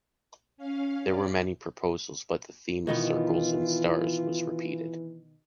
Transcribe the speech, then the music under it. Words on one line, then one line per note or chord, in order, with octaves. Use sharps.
There were many proposals, but the theme of circles and stars was repeated.
C#4 F5
C#4 D5
B2 D#3 E3 B3 F4